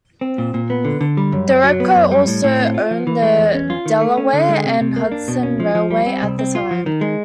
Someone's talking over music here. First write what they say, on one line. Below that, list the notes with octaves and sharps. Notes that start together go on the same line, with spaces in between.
Dereco also owned the Delaware and Hudson Railway at the time.
C4
A#2
A#2
B3
D3
D3
G3
F#2
F#2
F#3
B3
F#2
G3
A2
A2
C4
F4
F3
E3
G#3
E2
C#4
F4
D#3
A3
C#4
D3
G#3
C3
C3
A#3
D4
B2
C#4
F3
F3
G3
C4
C2
C4
F4
F3
D#3
G#3